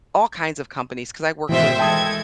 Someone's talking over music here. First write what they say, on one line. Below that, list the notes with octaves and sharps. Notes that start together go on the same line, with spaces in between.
all kinds of companies, 'cause I work with
G#2 B2 D#3 E3 C5 E5 G5
E3 G#3 A4 G5 A5 D#6 G#6